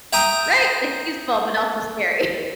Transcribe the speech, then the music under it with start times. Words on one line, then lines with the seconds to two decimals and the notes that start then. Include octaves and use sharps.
Right, it's useful, but also scary.
0.13 E5 G5 A#5 D#6